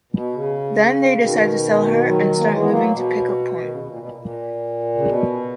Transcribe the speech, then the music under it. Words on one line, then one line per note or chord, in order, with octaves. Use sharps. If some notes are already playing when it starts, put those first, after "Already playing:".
Then they decide to sell her and start moving to pick up point.
B2
C#3
B2 D#3
D#3 F#3
A#3
E3 G#3
B3
F#3 A#3
B2
D#3
C#3
B2
A#2
B2
A#2
A#2
C#3
B2